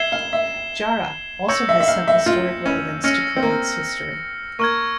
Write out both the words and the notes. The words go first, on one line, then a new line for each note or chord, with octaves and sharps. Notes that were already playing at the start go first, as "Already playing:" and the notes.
Jahra also has some historic relevance to Kuwait's history.
Already playing: E5 G#6 C7 E7 G7
F5
E5
C#5 E6 G6 A#6 C#7
E5
E5
F5
E5
F4
C#4
C#4 F6 A#6 C#7
C4
A#3
A#3 C#6 F6 G#6